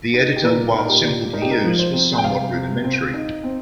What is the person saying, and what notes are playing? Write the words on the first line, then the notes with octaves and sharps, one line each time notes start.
The editor, while simple to use, was somewhat rudimentary.
D#4
G4
A#2 A#4
D#4 A#4
G4
A#2
D#4 A#4
G4
A#4
F3
C5
C4
G5
C3 F5
C3
C4
D#4
C4